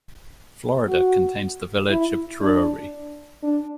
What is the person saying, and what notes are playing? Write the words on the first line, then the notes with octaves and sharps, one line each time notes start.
Florida contains the village of Drury.
F#4
E4
D4
D4